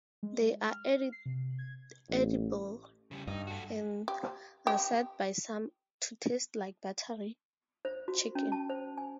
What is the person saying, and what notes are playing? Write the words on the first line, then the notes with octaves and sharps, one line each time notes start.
They are edible, and are said by some to taste like buttery chicken.
G#3
F6
C7
C3
G#6
A1
C#3 G3
G2 D#4
F#4 A4
G4
G4
C5
F#4
C#4
A5
C5
G#5